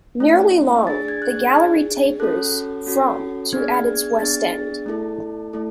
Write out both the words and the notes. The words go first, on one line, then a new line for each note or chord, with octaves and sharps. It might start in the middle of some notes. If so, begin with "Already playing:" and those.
Nearly long, the gallery tapers from to at its west end.
A3 C#4 E4
D4 G#4 A6
G#6
F#6
G#6
D4 G#4
C#4 F#4 A4 F#6
C#4 F#4 A4
B3 D4 G#4 G#6
G#6
B3 D4 G#4 A6
A3 E4 A4
A3 E4 A4